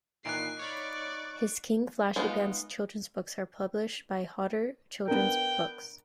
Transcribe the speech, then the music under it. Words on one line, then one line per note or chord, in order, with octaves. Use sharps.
His "King Flashypants" children's books are published by Hodder Children's Books.
A#2 D#3 E3 D#4 F#6 C7 D7
C#5 D5 F5 B5 C#6
G#3 B3 D4 D#4 F4
B3 D4 A#4 G5